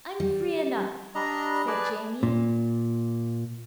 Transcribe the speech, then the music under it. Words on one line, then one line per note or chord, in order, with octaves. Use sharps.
"I'm free enough," said Jamie.
G3
G3 D4 D#5 A#5
G#4 B4 D5 A5
A#2